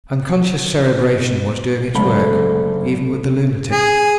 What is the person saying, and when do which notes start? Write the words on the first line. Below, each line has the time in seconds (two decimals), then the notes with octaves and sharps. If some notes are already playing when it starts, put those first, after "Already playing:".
Unconscious cerebration was doing its work, even with the lunatic.
1.95 F#1 D3 G#3 A3 B5
3.72 G#4